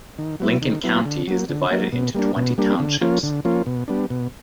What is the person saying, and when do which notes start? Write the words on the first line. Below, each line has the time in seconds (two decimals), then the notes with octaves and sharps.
Lincoln County is divided into twenty townships.
0.18 D#3
0.40 F#3 B3 E4
0.62 D#3
0.84 F#3 B3 E4
1.05 D3
1.27 F#3 A#3
1.49 D3
1.71 F#3 A#3
1.93 B2
2.15 G3 A#3 D4
2.36 B2
2.58 G3 A#3 D4
2.80 D3
3.01 F3 A#3 C#4 F4
3.23 D3
3.45 F3 A#3 C#4 F4
3.66 B2
3.88 G3 B3 D4
4.10 B2